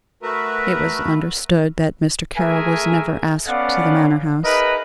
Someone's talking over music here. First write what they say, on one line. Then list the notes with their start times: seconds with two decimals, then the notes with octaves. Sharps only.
It was understood that Mr. Carroll was never asked to the Manor-house.
0.23 A3 F#4 A#4 B4 E5
2.37 A3 G#4 A#4 E5 G#5
3.48 B3 C#4 A4 D5 F5 F#5
4.44 D#4 G#4 A#4 B4 D#5 E5